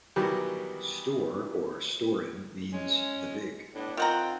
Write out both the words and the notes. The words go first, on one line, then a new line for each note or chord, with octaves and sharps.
"Store" or "Storen" means "The Big".
B2 D#3 E3 F#3 G3 G4
G#3 C#4
A2 B3 D4
D#3 C4 D#4 F4 F#5 A#5